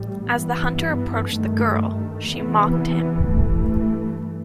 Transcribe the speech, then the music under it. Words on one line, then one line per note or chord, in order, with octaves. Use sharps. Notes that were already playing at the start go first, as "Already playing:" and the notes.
As the hunter approached the girl, she mocked him.
Already playing: A1 A2 G3
G2 E3 B3
G2 D#3 A3
E2 C3 E3 B3
G2 E3 A3